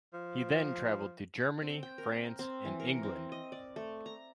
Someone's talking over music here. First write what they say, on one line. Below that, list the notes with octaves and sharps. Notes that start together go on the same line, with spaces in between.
He then traveled to Germany, France, and England.
F3
C4
G5
A#4
C4
E3
A#4
C4
D#5
D5
A3
A#5